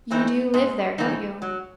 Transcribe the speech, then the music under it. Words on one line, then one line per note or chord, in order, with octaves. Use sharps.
You do live there, don't you?
E3 A3 C4 D#4
G#2
E3 A3 C4 D#4
F#3